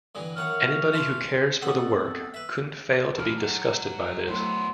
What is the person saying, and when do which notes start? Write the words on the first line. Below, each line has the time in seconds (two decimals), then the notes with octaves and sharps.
Anybody who cares for the work couldn't fail to be disgusted by this.
0.15 G2 D3 E3
0.37 F#2 D#3 E5 F#5 C#6 F6
0.93 F4 A4
1.62 B2 C4 A4 F#5
2.34 B4 E5
3.17 B1 E3 A4 D6 F6
3.38 F#3
4.27 F#3 A3 B3 E4 C5